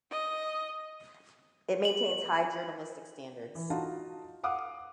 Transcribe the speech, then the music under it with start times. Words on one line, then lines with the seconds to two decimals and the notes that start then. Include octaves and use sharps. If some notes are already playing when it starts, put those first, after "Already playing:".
It maintains high journalistic standards.
0.11 D#5
1.85 F#7
3.55 E3
3.70 D#4 F4 F#4 F5 A5
4.43 F5 F#5 D6 D#6 F#6